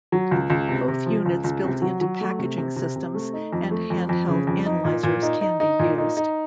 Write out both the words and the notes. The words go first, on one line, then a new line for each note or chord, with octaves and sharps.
Both units built into packaging systems and handheld analysers can be used.
F#3
C#2
C#2
C3
C3
F3
C#2
C#2
C3
F#3
F#3
A3
C3
C3
C3
C3
A3
D#4
F2
A3
F2
F2
C#3
F2
D#4
A#2
A#2
D#4
D#4
D#4
A#2
D#4
D#4